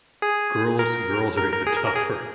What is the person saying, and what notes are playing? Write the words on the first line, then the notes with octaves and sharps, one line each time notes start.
girls girls are even tougher.
G#4
A#4
A#4
A#4
G#4
A#4
A#4
G#4